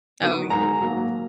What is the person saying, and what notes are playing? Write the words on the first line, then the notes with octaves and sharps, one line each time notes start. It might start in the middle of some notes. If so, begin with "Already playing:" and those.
Oh, yeah.
D#3 F#3 B3
G#2 A#5
F#3 A#3